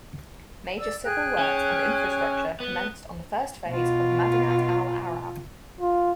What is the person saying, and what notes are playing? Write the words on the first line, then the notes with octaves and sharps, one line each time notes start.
Major civil works and infrastructure commenced on the first phase of Madinat Al Arab.
D5 E6
G#4 G5 F#6
C#4
B3
B2 F4
F4